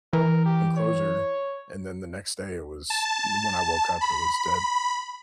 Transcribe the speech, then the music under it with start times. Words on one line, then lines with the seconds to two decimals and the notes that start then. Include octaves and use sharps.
enclosure, and then the next day it was d when I woke up, it was dead.
0.13 E3 A#4
0.46 G4
0.77 C#5
2.90 A5
4.01 B5